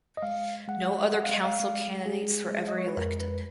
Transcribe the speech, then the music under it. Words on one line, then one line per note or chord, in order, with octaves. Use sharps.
No other Council candidates were ever elected.
D#5
G#3 F5
G#3 F#5
G#3 F#5
F5
D#5
F5
G#3
G#3 G#4
G#3
D#5
C#5
B4
F2 A#4
B4